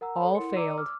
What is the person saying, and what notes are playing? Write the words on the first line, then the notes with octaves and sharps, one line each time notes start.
All failed.
A#4 F#5 A#5 E6
A4 C#5 B5
E4 A#4 F#5 C6 C#7
D5 A#5 D6 E6 C#7 D#7
D6 E6 F6